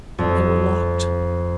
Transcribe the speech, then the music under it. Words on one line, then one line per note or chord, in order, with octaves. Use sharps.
They were locked!
F2